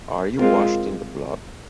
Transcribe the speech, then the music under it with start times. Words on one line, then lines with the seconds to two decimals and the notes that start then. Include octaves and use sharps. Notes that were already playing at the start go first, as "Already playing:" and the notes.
Are You Washed in the Blood?
0.36 G#3 C4 F4 A#4